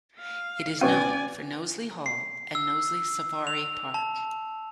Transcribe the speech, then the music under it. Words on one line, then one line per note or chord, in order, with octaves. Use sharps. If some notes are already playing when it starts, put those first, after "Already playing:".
It is known for Knowsley Hall and Knowsley Safari Park.
F5
A1 B2 C#4 D5 F5 G#5
C7
E6
F7
A5